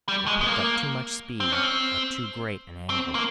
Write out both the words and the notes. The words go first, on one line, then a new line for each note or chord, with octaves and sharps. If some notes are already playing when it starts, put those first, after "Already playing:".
It picked up too much speed at too great an angle.
G3
G#3
G#3
A#3
C4
C#4
C4
C4
A#3